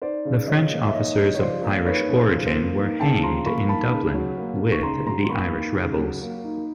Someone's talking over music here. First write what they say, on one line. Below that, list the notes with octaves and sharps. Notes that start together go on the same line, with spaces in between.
The French officers of Irish origin were hanged in Dublin with the Irish rebels.
D#4 C5 D5
C#3
F3 C#5 D#5
A#3
E5
D#4 C#5 D#5
C#3
C#5
F3 C5 D5
A#3
D#4 B4 C#5
C#3
C5
F3
C5
A#3
D#4
C#3 G5 A5
F3 A#5 C6
A#3 B5 C#6
D#4 A5 B5
C#3
F#3
A#3
D#4
C#6
C#3 A#5 C6
F#3 A#5 C6
C6
A#3 B5 C#6
D#4
C#3
F#3
A#3
D#4